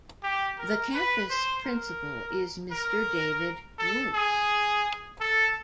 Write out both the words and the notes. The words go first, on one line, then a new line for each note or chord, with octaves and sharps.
The Campus Principal is Mr David Woods.
G4
A#4
B4
C5
A#4
A#4
A4
G#4
A4